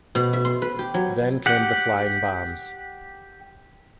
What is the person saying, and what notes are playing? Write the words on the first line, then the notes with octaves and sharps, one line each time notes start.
Then came the flying bombs.
B2
E5
C6
B4
G4
F#3
G4 F#5